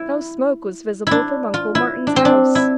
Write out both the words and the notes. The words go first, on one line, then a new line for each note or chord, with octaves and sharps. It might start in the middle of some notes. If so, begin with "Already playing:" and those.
No smoke was visible from Uncle Martin's house!
Already playing: E4
D4 E4
F4
E4
D4
C4
D4
E4